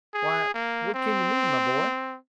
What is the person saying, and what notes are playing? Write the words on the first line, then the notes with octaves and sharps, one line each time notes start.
"Why, what can you mean, my boy?"
G#4
A#3
C4